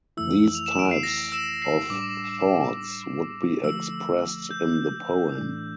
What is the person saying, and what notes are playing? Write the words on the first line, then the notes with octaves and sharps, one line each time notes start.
These types of thoughts would be expressed in the poem.
F2 E3 A3 E4 E6
F7
E7
D7
C7
A#6
E6 E7
C7
A2 G3 D4 D6
D3 F3 A3 E6
G6
A2 E3 A3 D4